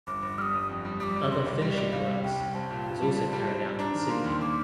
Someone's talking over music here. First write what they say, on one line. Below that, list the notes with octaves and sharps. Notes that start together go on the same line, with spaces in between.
Other finishing works was also carried out in Sydney.
G1 D6
G1
G3 D#6 F6
G1
F2
G3
G3 D6 D#6
G3
C3 C6
C2 D#5
G3 D5
G3 D#5
G3 F5
C2
C2 G5
C2
C4 A5
A#2
A#2
G3
C4
G3
C4
C4
D4 A#5
D#3
A#3 C6
D#2
A#3 D6